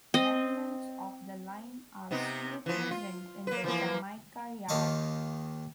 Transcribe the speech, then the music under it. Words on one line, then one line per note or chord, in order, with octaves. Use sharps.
Remnants of the line are still present in the Jamaica Yard.
C4 D#5
C3 B3 D#4
E3 F3
F4
A#3 B4
E3 F3 A#3
D#2 D#3 F4 D#5 C#6 D6